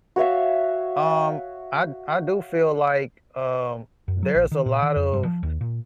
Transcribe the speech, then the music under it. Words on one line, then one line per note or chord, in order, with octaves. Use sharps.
Um, I d I do feel like, um, there's a lot of,
F#4 C#5 E5 F5
F#2
F#3
A#1
D#3
A#2
D#3
F2
G2
F3
D#2
A#2